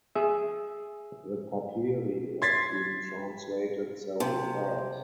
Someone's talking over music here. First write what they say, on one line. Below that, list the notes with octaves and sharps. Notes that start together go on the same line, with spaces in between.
The papyri have been translated several times.
G#4 E5
C6 G#6 A6 B6 C7
C3